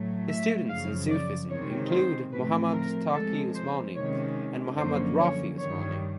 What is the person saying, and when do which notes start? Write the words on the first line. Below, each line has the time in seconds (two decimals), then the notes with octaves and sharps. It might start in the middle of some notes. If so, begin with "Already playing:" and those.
His students in Sufism include Muhammad Taqi Usmani and Muhammad Rafi Usmani.
Already playing: A2 F#3 A3
0.28 E5
0.69 F#2 C#3 F3 F5
1.09 D5
1.50 C3 D#3 G#3 C4 C#5
1.91 C5
2.32 A2 F3 A3 C4 B4
2.73 A#4
3.13 C3 F3 G#3 A4
3.55 C5
3.95 C3 D#3 G#3 C#4 C#5
4.77 F#2 D3 F3 A#3 C#4 C5
5.18 C#5
5.59 G2 D#3 G3 C#5